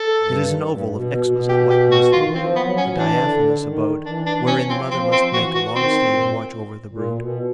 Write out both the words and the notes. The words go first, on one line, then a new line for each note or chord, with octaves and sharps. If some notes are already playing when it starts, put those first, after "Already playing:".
It is an oval of exquisite white muslin, a diaphanous abode wherein the mother must make a long stay to watch over the brood.
Already playing: A4
G2
G2
B2
B2
G4
G4
F#4
D#3 F4
E3
F3 C4
B3
F#3
C#4
E3
D4
D3
D#3
E3 D4
D4
E3
C#4
F3
C4
F3 C4
C4
E3 F#4
F#4
D#3 C4
A#2
A#2
B2